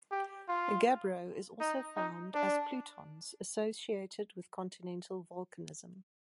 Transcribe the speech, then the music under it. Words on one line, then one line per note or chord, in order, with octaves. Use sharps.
Gabbro is also found as plutons associated with continental volcanism.
G4
F4
D#4
D#4
D4